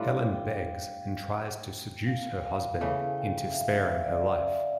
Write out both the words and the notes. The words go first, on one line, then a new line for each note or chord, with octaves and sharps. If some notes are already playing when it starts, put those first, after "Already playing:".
Helen begs and tries to seduce her husband into sparing her life.
Already playing: A2 G3 D4 F4 F5
G5
G5
F5
G5
F5
C#3 E3 A3 F5
G5
E5
F5
E5
D5